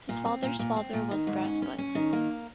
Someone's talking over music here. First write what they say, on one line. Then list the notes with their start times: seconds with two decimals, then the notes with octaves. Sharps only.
His father's father was a Brass Butt.
0.09 A#2
0.25 C4
0.43 A#2
0.59 A#2
0.76 C4
0.93 A#2
1.11 D#3
1.27 G#2
1.45 C#4
1.62 C#4
1.78 C#4
1.95 D#3
2.13 A#3